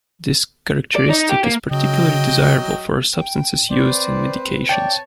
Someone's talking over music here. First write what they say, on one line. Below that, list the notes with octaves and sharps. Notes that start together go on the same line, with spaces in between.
This characteristic is particularly desirable for substances used in medications.
D5
D#4
G4
A#3
C#3 F#3 D#5 G5
G5
C4 B4 C5 D5
C#5 D5 G5 A5